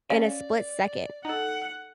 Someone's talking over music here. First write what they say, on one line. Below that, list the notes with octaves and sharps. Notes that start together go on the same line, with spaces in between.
in a split second.
C#4 D5 F5
D#4 A4 F#5